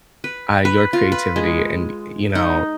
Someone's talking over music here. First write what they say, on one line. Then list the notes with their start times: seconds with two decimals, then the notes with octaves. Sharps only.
uh, your creativity and, you know,
0.24 B4
0.65 B4
0.93 F4
1.12 B4
1.36 G#3
2.35 D#4